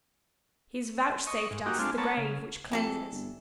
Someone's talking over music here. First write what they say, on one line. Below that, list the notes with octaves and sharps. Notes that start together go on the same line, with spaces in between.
He has vouchsafed us the grave which cleanses.
D#5 C#6
G#2
A#3 D#4 F#4 G4
G#3 A3 C4 D4 F4
A#3 B3 C#5 A5
C#3
F2 E3 G3 A4
G1